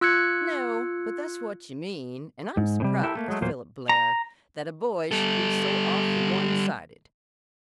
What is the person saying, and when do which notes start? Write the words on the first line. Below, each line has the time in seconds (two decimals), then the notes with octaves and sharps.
"No, but that's what you mean, and I'm surprised, Philip Blair, that a boy should be so awfully one-sided."
0.01 F4 E6 F#6 G#6 C#7
2.57 G#2
2.80 A2 C3 G3
3.03 E4 G4 A4 A#4 E5
3.15 A3 A#3
3.28 F#3 G#3 A3
3.41 E2 A#2 F#3 A#3 C5
3.89 A#5
5.12 G3 A4